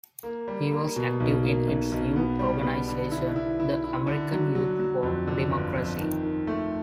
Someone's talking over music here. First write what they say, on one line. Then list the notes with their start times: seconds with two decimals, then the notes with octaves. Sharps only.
He was active in its youth organization the American Youth for Democracy.
0.23 A#3
0.48 G3
0.71 A#3
0.96 B2
1.20 B1
1.44 A#3
1.67 B1
1.92 B1
2.16 B3
2.39 G3
2.63 B3
2.88 D3
3.11 E4
3.36 E4
3.60 E4
3.84 E4
4.07 D3
4.32 F#3
4.55 F#3
4.80 F#3
5.03 F2
5.27 D3
5.51 G1
5.75 F2
6.00 D#3
6.23 D#3
6.47 A3